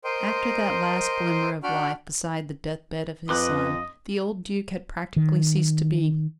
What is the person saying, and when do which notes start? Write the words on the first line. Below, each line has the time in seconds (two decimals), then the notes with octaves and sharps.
After that last glimmer of life beside the deathbed of his son, the old Duc had practically ceased to be.
0.04 A#4 C5 D#5 G5 C6
1.63 D4 F#4 G5 B5 F6
3.29 F2 B4 D#5 C6 D6 F#6
5.16 D#3